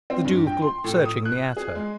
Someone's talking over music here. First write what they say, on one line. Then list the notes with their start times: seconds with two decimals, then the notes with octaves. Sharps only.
The Duke looked searchingly at her.
0.10 C4
0.25 G2
0.47 G5
0.62 C6
0.84 A2
1.05 D#6
1.25 F#6
1.57 G#4
1.75 G#3